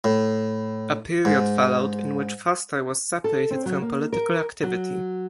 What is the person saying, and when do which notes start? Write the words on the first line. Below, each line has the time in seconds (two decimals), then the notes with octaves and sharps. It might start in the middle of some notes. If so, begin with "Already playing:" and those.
A period followed in which Foster was separated from political activity.
0.04 A2
1.25 G#2
3.24 A4
3.51 C4
3.66 F#3
3.82 A#3
4.13 A#4
4.63 F#3